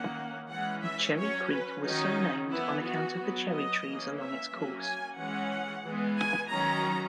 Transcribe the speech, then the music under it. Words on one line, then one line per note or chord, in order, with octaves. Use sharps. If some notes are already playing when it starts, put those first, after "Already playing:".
Cherry Creek was so named on account of the cherry trees along its course.
Already playing: D#3 A#3 C#4 F#5
E3 G#3 C#4 F#5
E5
F#3 C#4 C#5
B4
D#3 F#3 C#4 D#4
E3 B3 E4
F#4
F#3 B3
D#5
E3 A#3 C#4
E5
F#3 A#3 C#4
G#5
E3 G#3 C#4 F#5
E3 G#3 B3
G#5
D#3 F#3 C#4 A#5